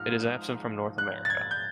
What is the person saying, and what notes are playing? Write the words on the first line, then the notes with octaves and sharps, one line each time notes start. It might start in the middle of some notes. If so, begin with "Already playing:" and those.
It is absent from North America.
Already playing: G#2 F3 D#4 F6
F#6
A6
G#6
G6